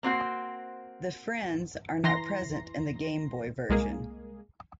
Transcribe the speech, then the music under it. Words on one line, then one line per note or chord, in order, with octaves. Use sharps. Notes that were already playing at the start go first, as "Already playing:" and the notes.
The "friends" are not present in the Game Boy version.
A#3 C4 F#4 C5
E3 A#5 C6 A#6
C2 G#3 A#3 G#4